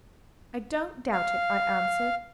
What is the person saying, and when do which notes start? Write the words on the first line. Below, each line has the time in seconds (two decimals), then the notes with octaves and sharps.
'I don't doubt it,' I answered.
1.13 F5